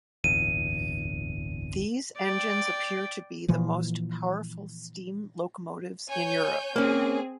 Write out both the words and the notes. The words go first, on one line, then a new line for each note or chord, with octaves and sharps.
These engines appear to be the most powerful steam locomotives in Europe.
D1 G1 E2 D#7
D5 G5
A#2 E3 F3
C#5 G#5 G6
A#3 C4 C#4 G#4